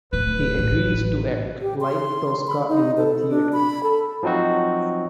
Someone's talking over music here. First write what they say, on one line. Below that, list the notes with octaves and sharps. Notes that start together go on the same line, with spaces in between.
He agrees to act "like Tosca in the theatre".
D1 B4
A1
G4
C6
B5
D#4
A4
D4
B5
A4
F3 F#3 C4 D#4 F#4